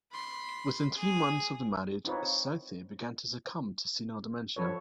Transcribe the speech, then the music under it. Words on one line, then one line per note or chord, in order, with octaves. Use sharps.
Within three months of the marriage, Southey began to succumb to senile dementia.
B5 C6
G#4
C4 D#4 F4 B4 C#5
F3 A4 B4 C#5